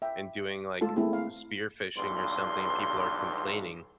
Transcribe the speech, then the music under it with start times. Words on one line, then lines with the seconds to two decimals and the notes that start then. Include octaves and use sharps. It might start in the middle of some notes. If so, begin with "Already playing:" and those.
and doing like, spearfishing or something, people are complaining.
0.02 E5 G5
0.81 G#3 A3 F4 A4 A5
0.96 A3 A#3 C4 E4 G#4
1.13 F5
1.97 B1 E2 G2 C6